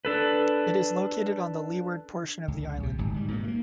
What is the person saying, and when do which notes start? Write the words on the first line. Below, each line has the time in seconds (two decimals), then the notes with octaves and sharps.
It is located on the leeward portion of the island.
0.05 D4 A4 B4
2.48 C#2
2.80 A#1 C3
2.98 D1 G1 G#2
3.14 G#2 G3
3.28 G#2 B2 D3 A#3
3.44 A3 A#3